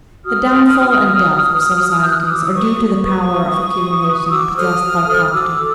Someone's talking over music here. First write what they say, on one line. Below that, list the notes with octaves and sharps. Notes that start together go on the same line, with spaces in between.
The downfall and death of societies are due to the power of accumulation possessed by property.
F#4 D#6 F6
B4
F#4
B4
F#4
B4
F#4
B4 G6
F#6
F6
F#4 D6 E6
B4 C#6 D#6
F#4
B4 C#6 D#6
F#4
B4
F#4
B4
F#4 D6 E6
A4 C5 D#6 F6
F#4
A4 C5
F#4 D6 E6
A4